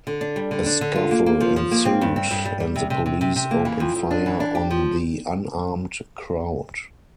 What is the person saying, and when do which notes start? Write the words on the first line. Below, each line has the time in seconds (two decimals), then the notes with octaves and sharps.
A scuffle ensued, and the police opened fire on the unarmed crowd.
0.07 D3
0.21 D4
0.36 G3
0.51 D3
0.66 D4
0.81 D3
0.96 F4
1.11 A#3
1.26 A#3
1.40 F3
1.56 F3
1.71 A#3
1.85 C4
2.01 G2
2.16 C4
2.31 G2
2.45 G3
2.60 G3
2.76 C3
2.90 C3
3.06 C3
3.21 C3
3.36 C3
3.51 A#3
3.65 E3
3.80 F2
3.96 F2
4.11 D4
4.26 E3
4.40 D4
4.55 G4
4.70 F3